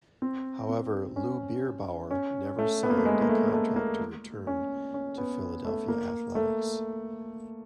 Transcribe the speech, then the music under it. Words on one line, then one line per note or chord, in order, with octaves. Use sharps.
However Lou Bierbauer never signed a contract to return to Philadelphia Athletics.
C4
C4
C#4
C#4
A3
B3
A#3
A3
G#3
A#3
A3
A3
A#3
C#4
C#4
B3
A3
A#3
A3